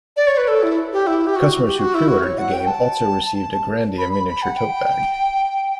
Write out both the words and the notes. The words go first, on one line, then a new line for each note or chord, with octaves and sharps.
Customers who pre-ordered the game also received a "Grandia" miniature tote bag.
D5
C#5
B4
A4
E4
G4
E4
G4
F#4
G4
F#4
E4
F#4
C#5
F#5
G5
A5
B5
B5
B5
F#5
G5